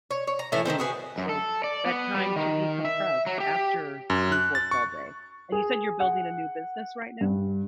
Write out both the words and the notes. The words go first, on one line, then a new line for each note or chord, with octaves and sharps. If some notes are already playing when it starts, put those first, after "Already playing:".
meaningful, so, that time to decompress after you've worked all day and you said you're building a new business, right now?
C#5
C#5
A#5
A2 E3 A3 E4
D#3 E3 A3 C4
F#4 G#4 B4
F#2
A4
D5
B3
G3
D#3
E5
F#3
G4
F#2
F#6
A6
C#6
G#4
F#5
G2